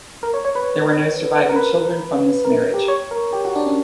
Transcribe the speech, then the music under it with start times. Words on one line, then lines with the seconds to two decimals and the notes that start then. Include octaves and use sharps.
There were no surviving children from this marriage.
0.23 A#4
0.34 C#5
0.45 C#5
0.55 B4
1.49 A#4
1.56 B4
2.45 A#4
2.74 G4
2.88 C#5
3.11 A#4
3.33 G4
3.45 F#4
3.56 D4
3.66 C#4